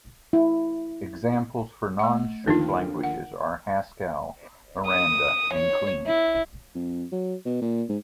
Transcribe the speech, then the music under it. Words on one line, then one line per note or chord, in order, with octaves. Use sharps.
Examples for non-strict languages are Haskell, Miranda, and Clean.
E4
A3 F#5
D#2 D3 F3 D#4 F4
F#5
D#6
C#5
E4
F2
F#3
B2
A#2
G#2